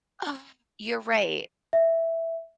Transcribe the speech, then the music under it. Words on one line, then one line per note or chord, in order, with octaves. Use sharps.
"Oh, you're right.
E5